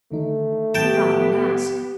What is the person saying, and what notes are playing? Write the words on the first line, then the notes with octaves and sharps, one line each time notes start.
Rather an ass.
D3 D#3 A3 D#4
A2 D#3 B3 G4 G5 A5